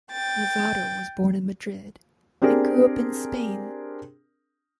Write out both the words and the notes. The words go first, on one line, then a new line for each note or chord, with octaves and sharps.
Nevado was born in Madrid and grew up in Spain.
G5 A6
C4 D4 G4 G#4 A#4